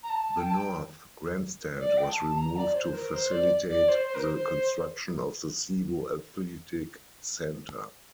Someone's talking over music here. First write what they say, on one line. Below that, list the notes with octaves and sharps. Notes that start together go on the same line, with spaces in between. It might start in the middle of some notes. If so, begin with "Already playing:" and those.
The north grandstand was removed to facilitate the construction of the Sebo Athletic Center.
A#5
A5
G5
A5
G5
C5
D5
G5
A5
A#5
D5
C5
A#4
C5
D5
D5
C5
C5
A#4
C5
C5